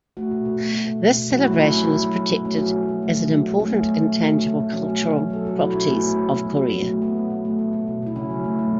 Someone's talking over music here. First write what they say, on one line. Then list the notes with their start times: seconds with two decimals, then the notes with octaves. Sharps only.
This celebration is protected as an Important Intangible Cultural Properties of Korea.
0.17 A3 F#4
0.31 B2
0.45 B2
0.60 A3
0.74 B2
0.88 B2
1.03 B2
1.16 B2
1.30 F#3 F#4
1.38 E4
1.45 A3 C#4
1.53 E4
1.60 B2
1.74 A3
1.88 F#3
2.03 F#3
2.17 B2
2.30 B2
2.45 A3 C#4
2.60 F#3
2.73 F#3
2.89 F#3
3.02 A3
3.16 B2
3.31 F#3
3.45 F#3
3.59 A3 C#4
3.74 A3
3.88 A3
4.02 B2
4.16 A3
4.31 A3
4.44 B2
4.60 B2
4.73 F#3 C#4
4.88 A3
5.02 B2
5.16 F#3
5.30 F#3 A4
5.45 B2 F#4
5.59 F#3 E4
5.74 B2 C#4
5.87 A3 B3
6.02 A3
6.16 B2
6.31 B2
6.45 F#3
6.59 B2
6.73 F#3
6.88 A3
7.01 B2 B3
7.16 B2
7.30 B2
7.45 A3
7.59 B2
7.73 B2
7.87 B2
8.02 B2 E4
8.16 C#3 C#4
8.30 F#3
8.44 A3
8.59 A3